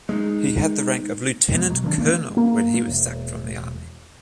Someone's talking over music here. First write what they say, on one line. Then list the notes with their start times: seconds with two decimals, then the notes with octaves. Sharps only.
He had the rank of Lieutenant Colonel when he was sacked from the Army.
0.09 G#3 D#4
1.52 D#1 F2 G#3 B3
1.70 B1 F#3
1.84 D#3 E3 B3 D4
2.00 A3 A#3 C#4 D4
2.37 A#3
2.87 E1